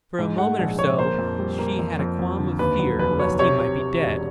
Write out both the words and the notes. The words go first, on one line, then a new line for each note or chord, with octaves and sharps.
For a moment or so she had a qualm of fear lest he might be dead.
G#2
G#3 F#5
A#1
A#1 C#5
A#3 C5
F2
G3
A#3
F2
F2
F2
D3
D#2 B4
F#3
F1 B4
F#3 C#5
C3 C#5
C3
C3
E1